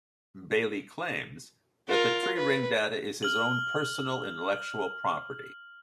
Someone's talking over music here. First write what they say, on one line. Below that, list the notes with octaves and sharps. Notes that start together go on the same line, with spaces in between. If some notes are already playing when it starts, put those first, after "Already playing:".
Baillie claims that the tree-ring data is his own personal intellectual property.
F4 A#4
B4
F6 F#7